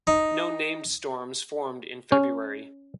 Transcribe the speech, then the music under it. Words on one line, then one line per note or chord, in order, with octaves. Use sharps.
No named storms formed in February.
D#4
C#4